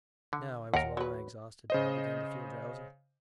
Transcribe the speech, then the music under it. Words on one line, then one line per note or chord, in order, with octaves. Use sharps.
Now I was well-nigh exhausted, and began to feel drowsy.
D3
D#2 A#4 F#5
F#3 B4
C#3 C5 D#5